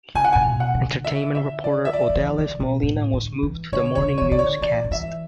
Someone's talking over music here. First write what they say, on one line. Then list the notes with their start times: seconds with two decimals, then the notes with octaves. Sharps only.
Entertainment reporter Odalys Molina was moved to the morning newscast.
0.15 C#3 G#5
0.25 F#5
0.33 A2 G#5
0.45 B2
0.60 F#5
0.75 D3
1.04 E5
1.35 E5
1.64 D5
1.85 E5
1.93 D5
2.09 F#3
2.16 E3
2.38 C#3
2.60 B2
2.83 A2
3.13 D3
3.43 E3
3.72 D3 C#5
3.95 B2 C#5
4.02 C#3
4.18 C#5
4.22 E3
4.32 D3 D5
4.39 C#5
4.61 E3 D5
4.84 D3
4.91 E3 E5